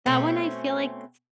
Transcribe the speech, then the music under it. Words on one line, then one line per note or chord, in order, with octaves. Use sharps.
that one I feel like,
B2 A3 C4 C#4